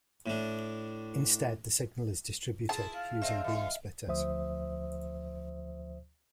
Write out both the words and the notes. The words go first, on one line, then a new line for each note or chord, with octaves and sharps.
Instead, the signal is distributed using beam splitters.
A2 D4
E4 F4 G#4 A5
F5
C4 D4 D#5 E5
E3 F4
D2 F3 C5 E5 D#6